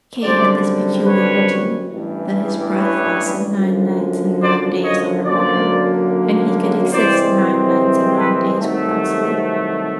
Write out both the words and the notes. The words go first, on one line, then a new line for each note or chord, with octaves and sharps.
Kay had this peculiarity, that his breath lasted nine nights and nine days under water, and he could exist nine nights and nine days without sleep.
F#2 D3 G3 C4 C5 D5
B4 C#5
A1 G2 E3
B4 C#5
F#2 D3 F3
C5 D5
C#5 D#5
F#2 D3 F#3 A#3 C5 D5
C2 C3 E3 G#3 C4 C5 D5
A4 B4
C2 C3 D#3 F#3 A3